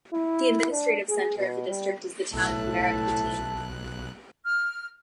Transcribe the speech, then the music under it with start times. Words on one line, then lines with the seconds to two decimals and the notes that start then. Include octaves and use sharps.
The administrative centre of the district is the town of Merak Batin.
0.13 E4
0.71 D4
1.10 G#4
1.38 B2
1.68 G3
2.34 B1 A2 A4 E5 A5 F#6
4.46 F6